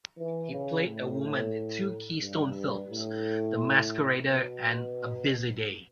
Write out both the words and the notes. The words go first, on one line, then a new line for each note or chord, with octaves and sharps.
He played a woman in two Keystone films: "The Masquerader" and "A Busy Day".
E3
C#3
A2
G2
A2
B2